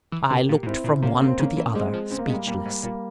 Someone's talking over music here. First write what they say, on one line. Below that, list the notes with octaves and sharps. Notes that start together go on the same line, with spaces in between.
I looked from one to the other, speechless.
E3
C#3 G4 A#4
A#2
A#2
G#2 C4 E4
A#2
C3 A#3 C#4
C3
C4
C#3 A#3 C#4
E3
G3 G#3 C4
F3
C#3 C4
A#3
G#3
C3
G3 A#3
A#2 G3 A#3
G#2
A#2 G3 A#3